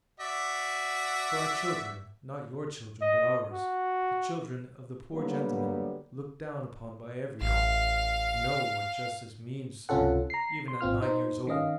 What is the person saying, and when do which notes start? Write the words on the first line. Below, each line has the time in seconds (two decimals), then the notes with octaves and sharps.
For our children--not your children, but ours--the children of the poor gentlemen looked down upon by every one--know what justice means, sir, even at nine years old.
0.20 F#4 D5 E5
3.01 D#5
3.52 F#4
5.13 D3 F#3 G3 A#3 B3
7.42 A1 F5
9.89 C#2 C3 C#4 F4 A4 F#5
10.30 A#5 C7
10.68 C6
10.81 G#1 C4 F4 F6
11.02 D#4 C5
11.47 D#3 C#4 D#5 F5